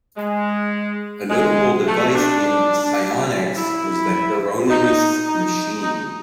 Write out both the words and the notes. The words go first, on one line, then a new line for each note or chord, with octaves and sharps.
A notable device in psionics was the Hieronymus machine.
G#3
G#3
A3
D4
E4
D#4
D#4
D#4